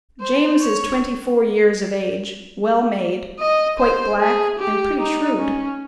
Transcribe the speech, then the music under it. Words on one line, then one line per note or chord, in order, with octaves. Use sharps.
James is twenty-four years of age, well made, quite black and pretty shrewd.
C5
C#5
D#5
C5
G#4
G4
D#4
C#4